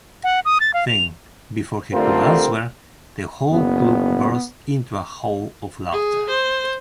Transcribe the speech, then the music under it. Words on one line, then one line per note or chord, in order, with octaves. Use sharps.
Then, before he could answer, the whole club burst into a howl of laughter.
F#5
D#6
A6
F5
F7
D3 G3 A3 C4 F4 A#4
F#1 B3
G#4
C5